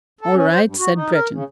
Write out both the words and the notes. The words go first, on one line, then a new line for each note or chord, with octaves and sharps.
"All right," said Breton.
A4
C#4
C5
G2
F#4
D#4
A#4
C#3